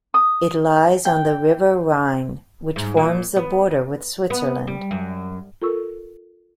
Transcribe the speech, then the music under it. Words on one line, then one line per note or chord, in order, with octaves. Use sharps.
It lies on the River Rhine, which forms the border with Switzerland.
D#6
G5
G#2
A#2
B3
B3
G3
F#2
F4 A4 A#4 C#6 E6